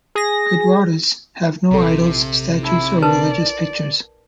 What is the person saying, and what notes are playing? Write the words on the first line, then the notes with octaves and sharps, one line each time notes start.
Gurdwaras have no idols, statues, or religious pictures.
G#4 A#6
A#1 C3 A4
D#4 E4
A#4 B4 D5 A5